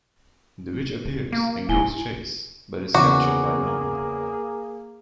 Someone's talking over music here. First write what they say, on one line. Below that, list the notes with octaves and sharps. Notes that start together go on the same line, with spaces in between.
The witch appears and gives chase, but is captured by Velma.
A#3
E1 E4 G#5 G7
E2 C#3 A#3 F#4 G#4 D6